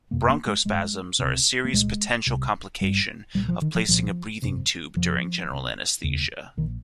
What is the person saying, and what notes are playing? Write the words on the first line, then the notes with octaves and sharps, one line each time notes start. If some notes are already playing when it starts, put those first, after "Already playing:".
Bronchospasms are a serious potential complication of placing a breathing tube during general anesthesia.
G1 F2 C3 A#3
A#3
G#3
G#1 G2 G#3
C#2 C3
A#3
C2 A#2 G#3
C2 C3
G#1 G2 G3
C2 A#2 G3
F3
D#3
F3
C2 A#2 F3
G1 F2 C3
F1 F2 C3 F3
C2 C3
F1 D#2 C#3
A#1 D#3